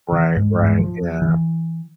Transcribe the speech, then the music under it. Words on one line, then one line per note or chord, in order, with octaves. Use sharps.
Right. Right. Yeah.
E3
G#2
G#2
F3
E3